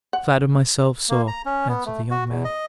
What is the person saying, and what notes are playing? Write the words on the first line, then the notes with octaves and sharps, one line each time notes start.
"I flatter myself so," answered the young man.
F#5
A#3
A#5
C#4
B3
A3
F#4
E2
D#5